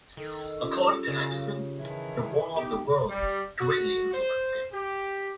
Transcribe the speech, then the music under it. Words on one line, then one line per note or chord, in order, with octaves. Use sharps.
According to Anderson, "The War of the Worlds" greatly influenced him.
D#3 A4
C#4 F4 G4
C#3
D#3 E3 G#4 E5 A5
B3 D#4 G4 D6
G3
F#4
C5
G4